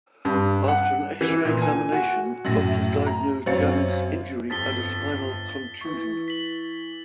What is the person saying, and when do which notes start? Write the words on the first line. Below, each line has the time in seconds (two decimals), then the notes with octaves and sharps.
After an X-ray examination, doctors diagnosed Yang's injury as a spinal contusion.
0.25 G2
0.68 F#5
1.21 E3
1.45 A#2
1.62 G#5
1.92 F#4
2.45 F#2 A2 A#6
3.07 A#5
3.46 F#2 C4 C#5 F5 A6 C#7
4.50 G1 F2 A6 B6 G7
5.81 E3 C#6
6.28 B6 F#7